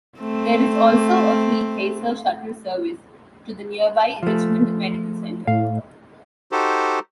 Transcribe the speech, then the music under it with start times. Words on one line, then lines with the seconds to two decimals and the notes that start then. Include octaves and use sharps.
There is also a free Kaiser Shuttle service to the nearby Richmond Medical Center.
0.20 A3 C4
4.23 F3 A3
5.47 A2 F5
6.52 D#4 F#4 G4 A4 C5